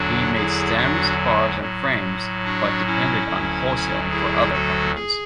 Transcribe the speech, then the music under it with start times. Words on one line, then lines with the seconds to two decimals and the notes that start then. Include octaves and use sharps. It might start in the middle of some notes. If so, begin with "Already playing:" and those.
He made stems, bars and frames but depended on wholesaling for other companies.
Already playing: E2 D3 F#3 D4 F#4
0.35 E4 G#4
0.76 D4 F#4
1.60 A2 F#3
2.45 D4 F#4
2.86 C#4 E4
3.27 D2 D3 F#3
4.11 E4 G#4
4.53 F#4 A4
4.96 G#4